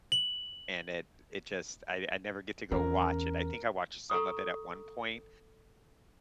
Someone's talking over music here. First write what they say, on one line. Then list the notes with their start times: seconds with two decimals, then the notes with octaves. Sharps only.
and it it just I I never get to go watch it, I think I watched some of it at one point,
0.12 F#7
2.71 E2 C#4 A#4
4.10 A4 A#5 C#6 D#6